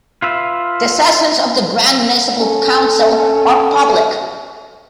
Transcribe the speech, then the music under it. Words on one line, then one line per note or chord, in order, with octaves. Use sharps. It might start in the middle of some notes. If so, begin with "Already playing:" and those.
The sessions of the Grand Municipal Council are public.
F4 B4 E5
C#4 A4